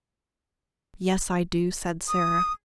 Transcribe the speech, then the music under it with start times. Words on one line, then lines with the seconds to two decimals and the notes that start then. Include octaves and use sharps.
"Yes, I do," said Sara.
2.08 D#6